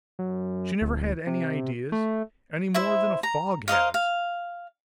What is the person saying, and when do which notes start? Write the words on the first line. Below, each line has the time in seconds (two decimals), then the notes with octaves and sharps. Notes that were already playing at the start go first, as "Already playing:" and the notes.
She never had any ideas, any more than a fog has.
0.19 F#2
0.81 D1
1.27 C3
1.92 A3
2.74 E4 C5 E5
3.23 A#5
3.68 A#4 C5 D#5 F5
3.94 F5